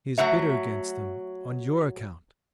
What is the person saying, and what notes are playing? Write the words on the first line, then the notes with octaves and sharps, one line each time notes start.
He is bitter against them on your account.
F#3 A3 F#4 C#5 E5